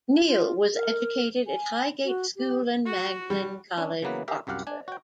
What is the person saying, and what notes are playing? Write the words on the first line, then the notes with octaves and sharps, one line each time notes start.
Neill was educated at Highgate School and Magdalen College, Oxford.
F4
A#4
G#5
F#4
G4
F#4
G3
C#4 D4
C#3 E3 F#3 A#3 B3 B4
G4 A#4 E5 F5
C2 F#2 G4 F5 F#5
D4 G#5
F#4 G5